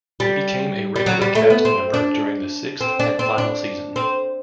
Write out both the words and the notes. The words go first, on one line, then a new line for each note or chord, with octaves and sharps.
He became a regular cast member during the sixth and final season.
G3
G3
F#3
G3
A3
B3
C4
D4
C4
D4
C4
D4
C4